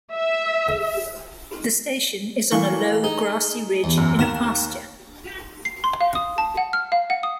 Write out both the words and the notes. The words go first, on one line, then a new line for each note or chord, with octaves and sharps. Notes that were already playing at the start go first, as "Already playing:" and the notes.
The station is on a low grassy ridge in a pasture.
E5
E3 A3 A#3 C#6
D#4 G#4
E2
F#2
D#2 A#4 E7
C7
C6
F5
D#6
A5
F#5
F6
F5
F#5
D#6